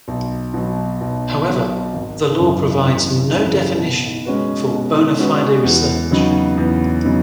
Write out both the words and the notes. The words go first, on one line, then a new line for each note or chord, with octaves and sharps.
However, the law provides no definition for "bona fide research".
B1
B2 F#3
B1
B2 F#3
G#1
F#2 C#3 E3
G#1
F#2 C#3 E3
B2
G#3 C#4 F#4 B4
B2
G#3 C#4 F#4 B4
E2
C#3 F#3 B3 D#4
E2
C#3 F#3 B3 D#4